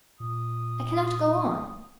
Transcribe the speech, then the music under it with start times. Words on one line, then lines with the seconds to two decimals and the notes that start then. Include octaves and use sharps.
I cannot go on.
0.20 A#2 D#6